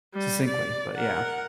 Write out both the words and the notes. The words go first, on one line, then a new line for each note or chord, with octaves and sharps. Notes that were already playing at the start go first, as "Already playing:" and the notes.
succinctly, but yeah.
G3
D5
A#4 F#5